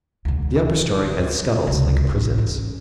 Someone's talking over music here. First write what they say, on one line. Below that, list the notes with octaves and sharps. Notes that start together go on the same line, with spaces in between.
The upper story had scuttles like prisons.
E1 D2
C#2 C3
A1 G#2
C#4